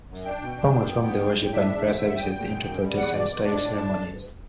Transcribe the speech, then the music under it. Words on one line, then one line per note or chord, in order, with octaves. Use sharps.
Hong reformed the worship and prayer services into Protestant-style ceremonies.
F#2
D4 G5
B2
D4
F#2
B3
G2
A2
A2
D4 E5
E2
D3
D3
E2 G5
E2
F#2
F#2
G3
E2 F#5
B2 D5
B2
D4 D5
A2
D4 A5